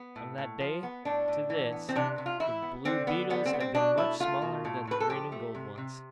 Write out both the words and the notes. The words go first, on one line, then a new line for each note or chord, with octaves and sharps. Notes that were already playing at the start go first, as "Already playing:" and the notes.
From that day to this the blue beetles have been much smaller than the green and gold ones.
Already playing: B3
A2
A2
F3
B3
A2 D4
A2
E3
B3
C4
C3 D4
C3
F4
E3 E4
B3
D3 C4
D3 B3
G3 B3
C4
B3
C4
B2 D4
A3 E4
A3 F4
B2
A2
A2 B4
A4
F3 G4
A3
C3
C3